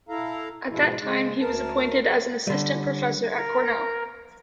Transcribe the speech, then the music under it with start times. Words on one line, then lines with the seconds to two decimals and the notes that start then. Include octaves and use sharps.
At that time he was appointed as an assistant professor at Cornell.
0.09 E4 A4 F5 A#5
0.69 G#2 B2 F3 G#3 E4
1.00 C#3 G#3
1.41 D2 A#4 A5
2.03 D3 G3 D4 A#4 B4
2.47 D3 G3
3.37 A#4